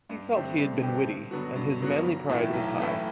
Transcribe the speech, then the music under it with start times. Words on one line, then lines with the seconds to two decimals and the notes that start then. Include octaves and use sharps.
He felt he had been witty, and his manly pride was high.
0.09 G2
0.33 D3 A3 C4 G4
0.58 G2
0.82 D3 A3 C4 G4
1.08 G2
1.31 D3 F#3 B3 F#4
1.55 G2
1.80 D3 F#3 B3 F#4
2.04 B1
2.30 A2 E3 A3
2.54 B1
2.79 A2 E3 A3